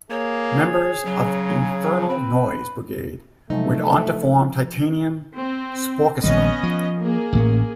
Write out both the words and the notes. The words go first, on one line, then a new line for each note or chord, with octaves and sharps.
Members of Infernal Noise Brigade went on to form Titanium Sporkestra.
A#3 G#4 C#5
C#3 F#3
C4 B4
C3 F3 F#3 G#3 A3 D#4
C4
A#1 D#3 G3 B3 C#4 D#5
F3
A#3 G#4
A1 A2 C#4